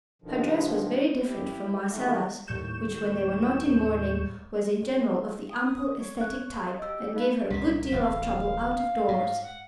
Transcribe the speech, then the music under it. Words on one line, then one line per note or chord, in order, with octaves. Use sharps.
Her dress was very different from Marcella's, which, when they were not in mourning, was in general of the ample "aesthetic" type, and gave her a good deal of trouble out of doors.
G2 B2 D3 D#3 F3
E4 G4
E2 D#3 G3 A3 F#4
D#2 A2 G3 C#6 G6 E7
D#6
C#5
F#6
F5
G4 D#5 E6
D#4 B4 F5
C2 A#2 B6
D1 A1 C3 F5
G#2
F#5